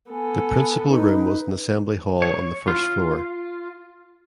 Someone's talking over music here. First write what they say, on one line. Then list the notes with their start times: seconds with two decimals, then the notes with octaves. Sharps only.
The principal room was an assembly hall on the first floor.
0.11 B3 A4 G#5
0.88 D#4 B4
2.22 C#5
2.68 F4